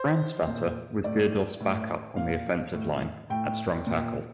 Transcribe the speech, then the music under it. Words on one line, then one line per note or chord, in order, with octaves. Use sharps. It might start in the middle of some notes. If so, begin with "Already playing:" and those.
Brandstatter was Dierdorf's backup on the offensive line, at strong tackle.
Already playing: C5
A#2
A2 D5
A2
A#2 F5
A2
A2 G5
A#2